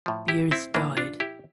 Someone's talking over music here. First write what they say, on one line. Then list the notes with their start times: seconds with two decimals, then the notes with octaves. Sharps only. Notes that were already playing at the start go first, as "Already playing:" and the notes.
Beers died.
0.06 A2 F3
0.28 E4 G4
0.51 C4 E4
0.74 A2 E3 A#3 D4
0.97 D4 F4
1.20 E4 G4